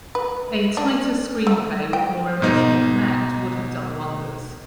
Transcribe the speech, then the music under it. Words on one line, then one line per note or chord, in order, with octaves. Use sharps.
A tighter screenplay with more emotional connect would have done wonders.
B4
D4
A3
G5
G#2 B2 A#3 D#4